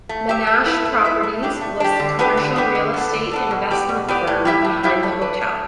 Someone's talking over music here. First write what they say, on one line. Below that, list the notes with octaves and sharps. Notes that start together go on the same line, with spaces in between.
Menashe Properties was the commercial real estate investment firm behind the hotel.
A3
G4 E5
A3
E4 B4 E5
A3
E4 B4 E5
A3
D4 G4
A3
D4 G4
D3
B3 D4 G4 B4
D3
B3 D4 G4 B4
D3
B3 D4 A4
D3
B3 D4 A4
B2
B3 G4 D5
B2
B3 G4 D5
A2
G3 E4 G4 E5
A2
G3 E4 G4 E5
A3
D4 B4
A3